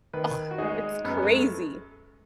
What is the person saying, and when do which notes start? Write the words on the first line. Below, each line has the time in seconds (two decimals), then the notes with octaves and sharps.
Ugh, it's crazy!"
0.13 D#3 B4
0.51 F#4
0.58 G#3 D#4 G#4
1.04 F#2 B3
1.22 G#3
1.26 A3